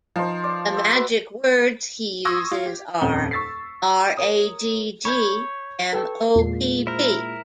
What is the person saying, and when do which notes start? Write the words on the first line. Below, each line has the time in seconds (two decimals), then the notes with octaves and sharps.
The "magic words" he uses are "R-A-G-G M-O-P-P".
0.16 F3 D#4 C5
0.44 D5
0.74 C5 E5
0.92 F#4 B4 A5
2.25 C6 C#6 D#6 E6 G#6 A#6
2.52 F4
2.66 G4
3.01 D#1 F2 C#4 F#5 G7
3.31 C#6 E6 A6 B6 C7
4.17 A#4 C#5 D#6
5.05 C#5 B5 G6 G#6
5.93 A4 B4 G5 A5 E6
6.36 E2 A#2 G#3 C7
6.87 E4 A#4 C5